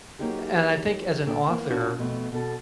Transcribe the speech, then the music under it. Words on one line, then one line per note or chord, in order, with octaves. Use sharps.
and I think as an author
F#3 A#3 C#4 D#4 G4 G#4
A#2 D4 A4 G5
E3 A#3 B3
B2 C#4 D4 F4 F#4
F2 B2 A3 B3
B2 A4